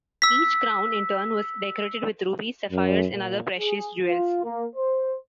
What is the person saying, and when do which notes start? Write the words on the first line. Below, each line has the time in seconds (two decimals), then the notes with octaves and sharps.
Each crown in turn was decorated with rubies, sapphires and other precious jewels.
0.22 E6 B6
2.71 F#2
3.11 A#2
3.60 G#4
4.05 F4
4.44 A#3
4.76 C5